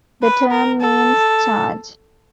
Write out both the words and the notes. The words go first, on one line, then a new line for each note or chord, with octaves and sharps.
The term means charge.
B4
A#4
A4